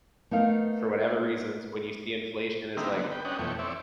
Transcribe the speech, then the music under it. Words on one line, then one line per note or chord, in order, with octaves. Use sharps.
for whatever reasons, when you see inflation is like
A3 B3 D#4 A#4 F5
D3 G3 A#3 C4 D#4 E4
D3 F#3 B3
B4 G5
C#4 D4 D#5 F#5 G5
F2 B2 E3 A3 C#5 G5
C4 C#5 D5 E5